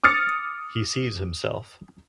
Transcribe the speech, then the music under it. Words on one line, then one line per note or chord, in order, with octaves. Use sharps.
He sees himself.
D6 D#6 F6 A6 C#7